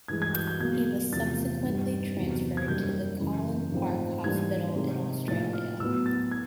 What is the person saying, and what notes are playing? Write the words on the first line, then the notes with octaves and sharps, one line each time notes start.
He was subsequently transferred to the Callan Park Hospital in Australia.
G2 E3 G#3 G#6
G#6
G6
G6
B2 F#3 A#3 G#6
E2 C3 F3 A3 A6
G2 D#3 G3
E2 C3 D#3 F#3
G#6
F#2 D#3 G3 A#3 G6
F#2 C#3 E3 G#3
G#2 F3 A3 C4
G#2 E3 G3 A#3 D4 G#6
C3 D#3 G#3
A2 F3 A#3 D#4 A6
F6
A2 F#3 B3 E6
A6
G#6